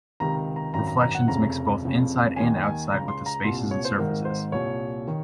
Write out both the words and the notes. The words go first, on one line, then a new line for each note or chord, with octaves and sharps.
Reflections mix both inside and outside with the spaces and surfaces.
C#2 C3 D#3 A#5
A#5
G#1 F#2 D#3 A#5
A#5
A#5
F#5
F1 F2 C#3 A#5
F1 F2 C#3
D#2 D#3 G#5
G#5
C#2 C#3 A#5
C6
A#5
C2 A#2 C6
C#5
C5
G#1 G#2 D#3 A#4
C5
C2 A#2 C#5
D#3